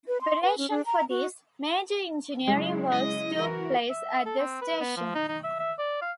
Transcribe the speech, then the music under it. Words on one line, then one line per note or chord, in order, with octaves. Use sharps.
In preparation for this, major engineering works took place at the station.
B4
C6
B4
C#4
D4
A#5
F#4
C#3 F#3 G#3 E4
D#5
E3 F#4 A#4
E5
A4
C4
B4
B3
F3
D#4
D#4
E5
E5
D5
F5